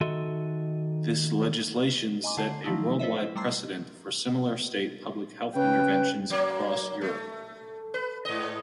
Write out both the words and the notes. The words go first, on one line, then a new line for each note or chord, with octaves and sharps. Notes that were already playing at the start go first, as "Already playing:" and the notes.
This legislation set a worldwide precedent for similar state public health interventions across Europe.
D#3 F#4 A4 D#5 E5 C6
D#5 G#5 A#5 C6 D6
D3 F#5 A5 C7
D#3 F3 F#3 A3 D#4 E4
E4 A4 C5 C#5 D#5 E5
G3 A3 A#5 C6 E6 C7
C#3 B4 G5
F#3 A#3
A3
B4
G#2 D#5